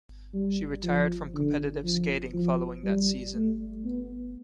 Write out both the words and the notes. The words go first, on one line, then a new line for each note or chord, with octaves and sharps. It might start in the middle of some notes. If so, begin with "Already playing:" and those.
She retired from competitive skating following that season.
G3
F3
D3
F3
F3
G3
A3
B3